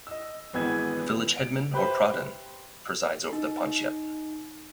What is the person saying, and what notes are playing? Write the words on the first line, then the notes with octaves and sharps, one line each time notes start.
The village headman or pradhan presides over the panchayat.
D#5 E6
G#1 E3 B3 G#4 E6 G#6
D7
G4 B4 C5 E5
D#4